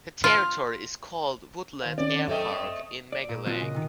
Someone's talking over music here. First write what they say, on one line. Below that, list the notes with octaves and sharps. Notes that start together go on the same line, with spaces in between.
The territory is called "Woodland Air Park" in Magalang.
F4
D#3 C5 F5
D#3 C4 C#4 D5
F#2 A3 C4 A4 D#5 G5
D5
A#2
F3 C4 F4 F#4 D#5
C#3
C3 D#3